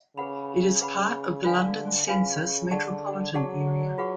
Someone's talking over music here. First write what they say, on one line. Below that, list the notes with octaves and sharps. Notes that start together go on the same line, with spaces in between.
It is part of the London census metropolitan area.
C#3 G#4 B4 F#5 B5
G#4 B4 F#5 B5
D3 F4 B4 F5 G#5
C#3 F4 B4 F5 G#5
D3 G#4 D5 F#5 A5 C#6
F#3 G#4 D5 F#5 A5 C#6
F4 G#4 B4 F#5 C#6